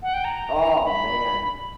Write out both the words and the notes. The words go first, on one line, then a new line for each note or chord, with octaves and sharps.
Oh, man.
F#5
G5
A#5
B5